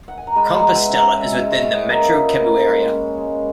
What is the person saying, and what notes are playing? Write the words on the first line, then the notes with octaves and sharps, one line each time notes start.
Compostela is within the Metro Cebu area.
F#5
G#5
A#5
G#3 G#5 B5
F#5 A#5
B3
E5 G#5
C#3
F#5 A#5
G#2 E5 G#5
E5 G#5
G#2
C#5 E5
C#4
B4 D#5
A#3 D#5
E5
A#2 B4 D#5
A#3
G#3
C#4
G#3